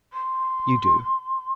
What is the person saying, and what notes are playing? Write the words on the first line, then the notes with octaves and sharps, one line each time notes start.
You do.
C6